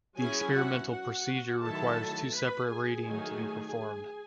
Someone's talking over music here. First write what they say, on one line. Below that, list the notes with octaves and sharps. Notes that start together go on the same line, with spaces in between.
The experimental procedure requires two separate reading to be performed.
F#3 C#4 E4 G#4 G#5
F#4 F#5
F#4 F#5
D#3 F#3 A3 E4 A4 A5
B4 B5
G#4 G#5
D#3 F#3 A3 D#4